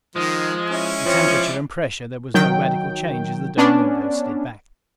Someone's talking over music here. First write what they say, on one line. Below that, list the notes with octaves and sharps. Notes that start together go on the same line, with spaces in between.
In temperature and pressure there was no radical change as the dome windows slid back.
D#3 F3 G#3 D#6
C#4 E4
F2 F3 C#5
G#3 D5
D#3 F#3 G5
B3 C#4 D4